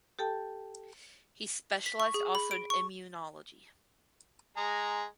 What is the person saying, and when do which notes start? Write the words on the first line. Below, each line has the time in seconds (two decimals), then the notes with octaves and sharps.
He specialized also in Immunology.
0.19 G4 A4 G5 A5
1.86 B6
2.00 C#6
2.14 G#4
2.35 B5
2.51 D7
2.70 C#6
4.57 G#3 G#4 A#5